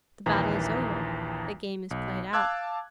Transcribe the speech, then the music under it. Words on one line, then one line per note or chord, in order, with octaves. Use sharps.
"The battle is over--the game is played out."
A#1 D#2 E3 A#5 A#6
B1
F5 A5 D6 E6 F#6 G#6